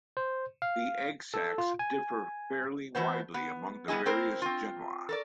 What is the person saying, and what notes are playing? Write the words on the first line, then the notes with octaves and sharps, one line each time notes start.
The egg sacs differ fairly widely among the various genera.
C5
F5
A4
F4
G#5
E3 A3 B3 C5
B3
G3 B3 E4 G#4 D#5
C4 E4 A#4 C5
C4 F4
A4 A#4 D5